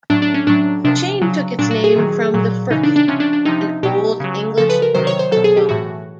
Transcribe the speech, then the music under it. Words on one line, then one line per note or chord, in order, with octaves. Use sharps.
The chain took its name from the firkin, an old English unit of volume.
A2 F#3 D4
D4
C#4
A2 F#3 D4
C3 F3 D4
C#3 F#3
A#2 F#3 D4
F#4
G#4
C3 D#3 F#3
A#2 F#3
C#3 E3 D#4
D4
D4
C3 F3 C#4
D4
D4
C3 F3 D#4
B2 F#3 G4
C#3 F#3
C#3 F3 A4
B4
A#4
C3 D#3 F#3 C5
C#5
C5
B2 F#3 A4
G#4
G4
A2 E3 F#4